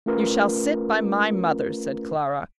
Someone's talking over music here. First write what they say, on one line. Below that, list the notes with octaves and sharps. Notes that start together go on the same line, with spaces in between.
"You shall sit by my mother," said Clara.
A3 C#4 F4 A#4 B4